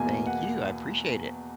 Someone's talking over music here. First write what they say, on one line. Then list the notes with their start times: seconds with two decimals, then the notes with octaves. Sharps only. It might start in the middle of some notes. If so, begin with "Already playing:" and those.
Thank you, I appreciate it.
Already playing: E2 B2 A#3 G#5
0.27 F#5